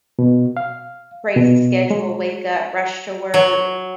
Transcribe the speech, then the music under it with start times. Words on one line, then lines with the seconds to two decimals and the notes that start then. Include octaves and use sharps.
crazy schedule, wake up, rush to work,
0.19 B2
0.57 F5
1.36 B2
1.91 G#3
3.34 F#3